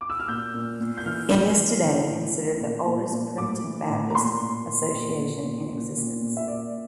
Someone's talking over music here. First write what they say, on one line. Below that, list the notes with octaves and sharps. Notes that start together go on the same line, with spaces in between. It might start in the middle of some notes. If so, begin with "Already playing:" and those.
It is today considered the oldest Primitive Baptist association in existence.
D6
E6
F6
A#2 G6
A#2
A#2
G6
E3 F6
A2
E3
E3
A2
E3
A#2
A#2
A#2
A2 D6
E3
A2
A#5
A#2 C6
A#2
A#2
A#2
A#2
A#2
A#2
A#2
A#2
E5
A#2 D5